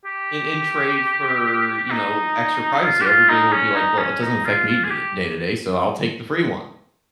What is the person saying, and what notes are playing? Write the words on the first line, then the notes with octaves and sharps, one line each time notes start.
in in trade for, you know, extra privacy, everybody would be like, "Well, it doesn't affect me tod day to day, so I'll take the free one."
G4
D#4
F4
G4
F4
D#4
C#4
D#4
C#4
D#4
F4
F4
G#4
G4